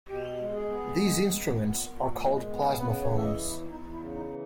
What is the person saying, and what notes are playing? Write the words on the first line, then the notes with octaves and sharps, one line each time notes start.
These instruments are called plasmaphones.
B2 G4
G#3
G#4
B3
G#3
B3
A#2
A#2
G#3
B3
C#3 B4
C#5
E3
E5
D#5
E2
E4
E2 D#4
E4
C#3
D#4
E3